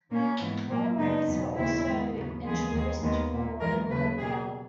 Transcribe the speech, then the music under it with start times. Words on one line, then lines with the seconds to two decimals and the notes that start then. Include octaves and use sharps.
Lower rates were also introduced for inland mail.
0.11 A#2 A#3 C#4
0.40 G#2 E3 B3
0.68 A#2 F#3 A#3
0.98 F#2 C#3 G#3 B3 D#4
1.27 E2 B2 F#3 B3
1.56 D#2 C#3 G#3 B3 E4
1.86 G#2 D#3 G#3 B3
2.15 D#2 C#3 F#3 B3
2.44 D#2 C#3 E3 G#3 B3 G#4
2.73 D#2 D#3 G#3 B3
3.02 D#2 D#3 G#3 B3
3.32 A#2 A#3
3.60 F#2 E3 G#3 B3 A#4
3.90 D#2 C#3 F#3 B4
4.18 B2 A#3 G#4